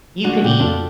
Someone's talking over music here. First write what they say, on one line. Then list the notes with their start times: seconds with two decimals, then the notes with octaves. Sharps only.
You can eat
0.24 D3 F#4
0.44 A#2 C#3 G4
0.59 F2 D4 F4 A4